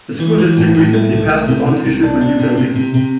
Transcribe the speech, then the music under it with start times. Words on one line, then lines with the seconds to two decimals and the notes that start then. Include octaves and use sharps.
The school district recently passed a bond issue for new buildings.
0.20 E3
0.38 E3
0.57 A2
0.75 A2
0.93 A3
1.11 C2
1.29 A3
1.48 C3
1.66 C3
1.85 C2
2.03 D4
2.21 D4
2.40 C3
2.58 C3
2.76 C3
2.95 C3